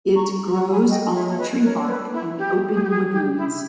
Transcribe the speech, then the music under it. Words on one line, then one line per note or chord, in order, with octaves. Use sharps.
It grows on tree bark in open woodlands.
A#5 C#6
A#5 C#6
G#5 B5
D#5 G5
C#5 E5
C#5
B4 D#5
D#5
A#4 C#5
B4
E4
G4
G#4
G4
G#4
G4
E4